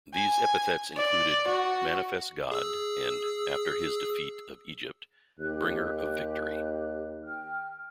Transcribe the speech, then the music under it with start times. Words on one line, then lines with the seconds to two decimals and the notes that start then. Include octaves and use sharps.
These epithets included "manifest god", and, after his defeat of Egypt, "bringer of victory".
0.14 G#5
0.97 D5
1.47 F#4
2.51 G#4 E6
5.39 D#2 G4 F#6
7.24 G5 F6